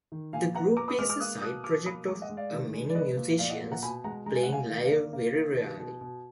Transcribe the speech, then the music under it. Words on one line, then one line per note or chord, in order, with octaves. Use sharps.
The group is a side project of many musicians, playing live very rarely.
D#3
A#2 F5 G#5
B3 F#5 A#5
B3 A#5 D6
B5 D#6
G#3 D6 F6
D6 F6
A#3 D#6 F#6
B2 D#6 F#6
B2 D6 F6
A#3 B5 D#6
G#3 A#5 D6
D#5 F#5
G#3
D5 F5
D#3
G#3
D5
B3 B4 D#5
A#2
A#2 D5 F5
D#5 F#5
A#2
F#5 A#5
B2 G#5 B5
G#3 F#5 A#5
G#3 A#5
G#5
F#5
G#3 F5 G#5
D#3 F5
F#5
D5 F5
A#3
A#3
D#3
B2
B2
B2